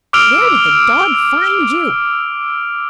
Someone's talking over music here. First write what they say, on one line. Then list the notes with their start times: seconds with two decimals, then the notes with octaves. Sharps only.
"Where did the dog find you?"
0.13 D6 E6 F6 D7 F7 G7